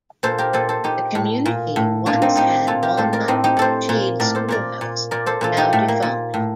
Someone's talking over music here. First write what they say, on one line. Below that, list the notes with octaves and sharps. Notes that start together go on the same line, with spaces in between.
The community once had Walnut Shade Schoolhouse, now defunct.
A#2 A4 C5
G4 A#4
A#2 A4 C5
A4 C5
A#2 D#4 G4
A2
A#2
A2
A#2 D4 F4
C4 D#4
A2 D#4 G4
A#2 F4 A4
G4 A#4
A2 A4 C5
A#4 D5
A2 C4 D#4
D#4 G4
A2 A4 C5
A#2
A2 A#4 D5
A4 C5
A#2 A#4 D5
A#2
A#2 A#4 D5
A4 C5
A#2 F4 A4
D#4 G4
A2 A3
A#3
A#2
A2